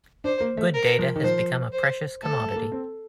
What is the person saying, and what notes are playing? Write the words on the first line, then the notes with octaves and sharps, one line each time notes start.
Good data has become a precious commodity.
D4 C5
A#3
A3
A#4
F3
D#3
F3 C5
C5
A3 A4
A3
A#3
C4